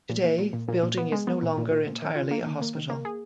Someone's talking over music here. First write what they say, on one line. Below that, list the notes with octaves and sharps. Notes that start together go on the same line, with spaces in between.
Today, the building is no longer entirely a hospital.
A#2
A#2
A#2
A#2
A#2
A#2
B3
G#3
B3
A#2
A#2
A#2
A#2
D#3
F4
A#3
D#3
A#3
D#3
A#3
G#4